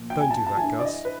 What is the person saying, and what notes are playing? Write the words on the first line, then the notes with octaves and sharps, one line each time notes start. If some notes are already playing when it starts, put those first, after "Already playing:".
"Don't do that, Guss?"
Already playing: A#2 F3
G5
G#5
A5
A5
G2 E3 G#5
D5
D#5
B4